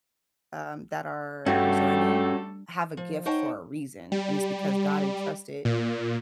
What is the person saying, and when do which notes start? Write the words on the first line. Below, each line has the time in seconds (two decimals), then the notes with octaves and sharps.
um, that are discerning, have a gift for a reason, and it's because God entrusted
1.46 G2 G3 A3 C#4 F#4 A4 G5
2.97 F3
3.26 D#4 C5 C#5 F#5 G5 A5
4.12 G3
5.65 A#2